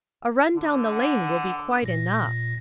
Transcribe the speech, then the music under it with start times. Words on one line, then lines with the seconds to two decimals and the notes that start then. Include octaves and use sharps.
"A run down the lane will be quite enough."
0.56 D3
0.92 F#5
1.83 A#2 A#6